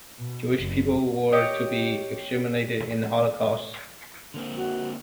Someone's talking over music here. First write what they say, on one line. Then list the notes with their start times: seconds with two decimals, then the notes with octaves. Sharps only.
Jewish people were to be exterminated in the Holocaust.
0.18 B2
0.58 F#1
1.32 G4 C#5 D#5
4.34 D3 A#3 C4
4.56 F#4